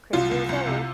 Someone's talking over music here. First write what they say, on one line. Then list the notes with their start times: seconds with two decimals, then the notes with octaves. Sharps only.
Crazy as ever!
0.13 C2 F4
0.31 C2
0.49 C2
0.67 C3